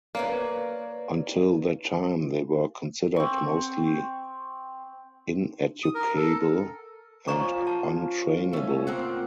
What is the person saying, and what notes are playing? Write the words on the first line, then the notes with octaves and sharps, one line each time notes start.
Until that time they were considered mostly ineducable and un-trainable.
A#3 B4 C#5 D5
C4 C#6
D#6
A#4
A4
F3 C#4 F4 D5 A#5 C#6
A5
A3 C#4 C#5
A#3 C4 F#5